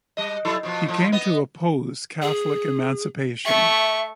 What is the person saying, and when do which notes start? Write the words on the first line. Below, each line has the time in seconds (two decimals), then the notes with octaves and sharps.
He came to oppose Catholic emancipation.
0.17 G3 D#5
0.45 F#3 E4 A4
0.63 B2 F3
0.86 A2 F3
1.12 B3 D#5
2.22 G#4
3.45 A3 E5 C#6